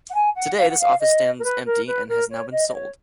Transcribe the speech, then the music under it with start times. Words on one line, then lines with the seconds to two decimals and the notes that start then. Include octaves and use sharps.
Today, this office stands empty and has now been sold.
0.09 F#5
0.14 G#5
0.35 F#5
0.57 F5
0.68 F#5
0.79 F5
1.00 D#5
1.39 A#4
1.43 B4
1.65 A#4
1.86 B4
2.08 A#4
2.30 C#5
2.51 D#5
2.68 D#5
2.73 C#5